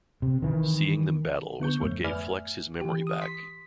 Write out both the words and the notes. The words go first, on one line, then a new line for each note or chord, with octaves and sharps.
Seeing them battle was what gave Flex his memory back.
C3
D#3 E3
D3 B3 C#6 G6
F2 G#2 A3
B4 D5 E5 G#5 F6
E3 G4
D#6
C6 B6